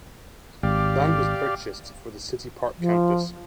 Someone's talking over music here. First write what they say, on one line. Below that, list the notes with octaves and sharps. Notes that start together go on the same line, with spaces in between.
Land was purchased for the City Park Campus.
G#1 G4 D5 F5
F3